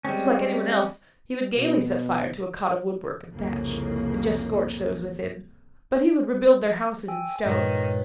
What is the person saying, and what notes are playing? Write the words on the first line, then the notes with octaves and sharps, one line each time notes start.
Just like any one else, he would gaily set fire to a cot of woodwork and thatch, and just scorch those within; but he would rebuild their houses in stone.
G3 G#3 C4 C#4
B2
C2 F2 A2 C#3 A#3
G5 G#5 E6
G2 A#2 D#3 G#3 B4 C#5